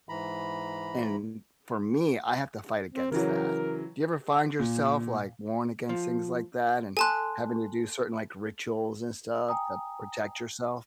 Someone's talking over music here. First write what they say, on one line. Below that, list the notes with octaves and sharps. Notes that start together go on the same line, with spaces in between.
And for me, I have to fight against that. Do you ever find yourself, like, warned against things like that and having to do certain, like, rituals and stuff to protect yourself?
G#2 E3 A#5 B5
C4
C#3 E3 F#3 A#4
A#2
F3
A4 G#5 A5 C6 F#6
G5 G#5 A#5 D#6